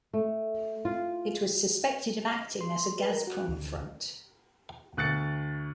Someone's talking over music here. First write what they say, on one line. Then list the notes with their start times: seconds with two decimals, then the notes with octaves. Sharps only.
It was suspected of acting as a Gazprom front.
0.13 A3
0.85 F4
2.61 C6
2.99 B4
3.11 A#4
3.27 F#4
3.48 D2
4.97 D2 F#6 A6 C#7